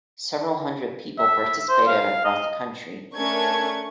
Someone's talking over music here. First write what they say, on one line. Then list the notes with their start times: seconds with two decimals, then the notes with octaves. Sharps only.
Several hundred people participated across the country.
1.19 E5
1.69 C5
1.87 F5
2.25 D#5
3.16 A3 C#4 D4 A#4 C#6 G#6